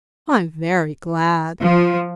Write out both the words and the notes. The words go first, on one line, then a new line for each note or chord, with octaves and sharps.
I am very glad.
F3